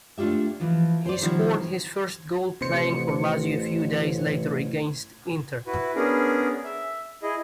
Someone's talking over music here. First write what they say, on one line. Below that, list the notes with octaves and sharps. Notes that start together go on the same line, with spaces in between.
He scored his first goal playing for Lazio a few days later against Inter.
A3 D4 F4 G4 E5
E3 F3 F4
C5 D5
B2 D#3 F3 G3 C4 E4
A1 C3 C5 C#7
E4 F#4 B4
B3 C#4 D4 G#4 A#4
E5
E4 G#4 D#5